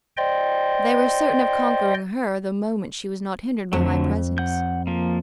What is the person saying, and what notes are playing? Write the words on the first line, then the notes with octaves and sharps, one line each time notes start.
They were certain of conquering her the moment she was not hindered by my presence.
C5 D5 D#5 G5 C6
F2 D3 F#3 A3
F#5 G6
F3 A#3